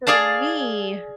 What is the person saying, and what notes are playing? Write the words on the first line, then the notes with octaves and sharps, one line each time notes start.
For me,
G#4 D5 F5 A5